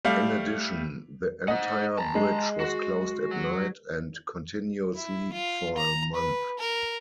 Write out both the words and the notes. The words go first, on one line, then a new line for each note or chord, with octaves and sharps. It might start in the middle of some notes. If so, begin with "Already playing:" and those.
In addition, the entire bridge was closed at night and continuously for a month.
G3 A3 F5
C5 D#5 F#5
A5 A#5
G#3
F#4
F#3
E4
F4
A#5
B4
A#4